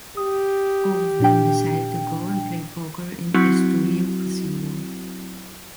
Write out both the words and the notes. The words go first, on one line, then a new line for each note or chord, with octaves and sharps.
All of them decided to go and play poker in Estoril’s casino.
G4 D#6
A#2 D4 G5
F#3 C4 E4 F#4